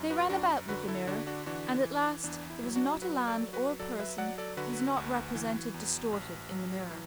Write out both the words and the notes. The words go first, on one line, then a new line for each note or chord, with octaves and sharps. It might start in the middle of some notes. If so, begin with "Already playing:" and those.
They ran about with the mirror; and at last there was not a land or a person who was not represented distorted in the mirror.
Already playing: F#2
F#4 B4
F#2 D4 F#4
D3 F#4 B4
E4 A4
D3 D4 F#4
D4 F#4
E3 D4 F#4
E3
E2 D4
E4
F#3
D4 F#4
F#3 F#4 B4
A4 D5
F#3
F#4 B4
F#3 A4 D5
B4 E5
F#3 D5 F#5
A4 D5
D3 F#4 B4
D2
E3
E2
A1
F#3
E3